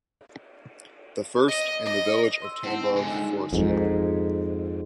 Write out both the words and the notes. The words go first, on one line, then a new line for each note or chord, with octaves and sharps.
The first - in the village of Tambov Forestry.
D#5
D#5
C6 E6
C4 E4 F#5 A5
D#4 G#5
D3 G#3
F2 G#2